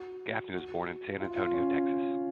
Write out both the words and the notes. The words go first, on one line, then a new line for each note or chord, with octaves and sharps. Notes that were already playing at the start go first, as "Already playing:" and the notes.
Gaffney was born in San Antonio, Texas.
Already playing: F#4
F#4
F4
F4
C#4